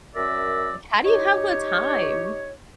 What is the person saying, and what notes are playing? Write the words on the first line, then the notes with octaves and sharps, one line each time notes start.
Like, how do you have the time?
F#2 A#4 D5 E5 E6
D#4 G4 C#5